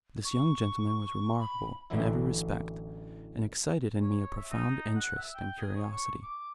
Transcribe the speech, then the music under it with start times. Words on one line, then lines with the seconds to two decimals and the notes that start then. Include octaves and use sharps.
This young gentleman was remarkable in every respect, and excited in me a profound interest and curiosity.
0.25 C#6
1.39 B5
1.90 A1 D3 E3 F#3 E4
4.02 C#5
4.36 E5
4.51 D#4
4.95 F#5
5.17 E5
5.35 G5
5.58 G#4
5.76 C#5
5.92 C#6
6.23 D6